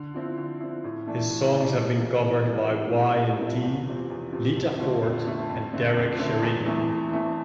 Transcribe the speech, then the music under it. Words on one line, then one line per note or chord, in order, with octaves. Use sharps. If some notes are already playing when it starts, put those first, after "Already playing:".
His songs have been covered by Y and T, Lita Ford and Derek Sherinian.
Already playing: D3
F3 C4 E4
D3
F3 C4 E4
A2
E3 A3 D4
A2
E3 A3 D4
C3
E3 A#3
C3
E3 A#3
C3
F3 A3 C4 E4
C3
F3 A3 C4 E4
E2
C3 F3 C4
E2
C3 F3 C4
F2
D3 F3 A3
F2
D3 F3 A3
F2
D3 A3 C4
F2
D3 A3 C4
E2
E3 A3 C4 E4
E2
E3 A3 C4 E4